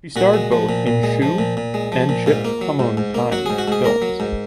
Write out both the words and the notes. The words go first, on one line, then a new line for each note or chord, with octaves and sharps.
She starred both in "Hsu" and "Chit Hmone Tine" films.
A#2 F#4
G#3
F3
A#2
A#2
G#3
F3
A#2
A#2
G#3
F3
A#2
G#2 F4
A#3
F#3
G#2
G#2
A#3
F#3 F#4
G#2 G#4
F#4
G#2 G#4
A#3 A#4
F#3
G#2